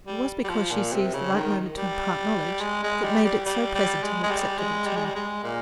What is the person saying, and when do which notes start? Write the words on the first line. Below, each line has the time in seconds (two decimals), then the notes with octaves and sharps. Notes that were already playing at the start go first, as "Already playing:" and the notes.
It was because she seized the right moment to impart knowledge that made it so pleasant and acceptable to me.
0.07 G3
0.44 G3
0.49 F3
0.71 A#2
0.92 C3
1.14 C#3
1.34 D#3
1.77 G3
2.61 G#3
2.83 G#3
3.03 G3
3.24 G3
3.46 G3
3.75 G3
4.03 G#3
4.23 G#3
4.30 G3
4.59 G#3
4.87 G3
4.96 G#3
5.05 G3
5.15 G#3
5.43 A#2